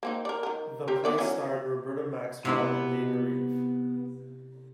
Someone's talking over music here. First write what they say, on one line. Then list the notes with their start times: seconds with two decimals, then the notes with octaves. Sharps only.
The play starred Roberta Maxwell and Dana Reeve.
0.03 A#3 C4 D#4
0.25 A#4 D5
0.43 D#3 A#4
0.88 C4 G4 A#4
1.04 B3 D5 E5
1.18 E3 F#3 C#4
2.45 C3 B3 E4 F#5 B5